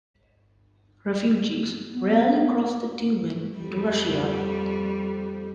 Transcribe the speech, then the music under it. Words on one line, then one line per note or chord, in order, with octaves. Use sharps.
Refugees rarely cross the Tumen into Russia.
B3
F2 G3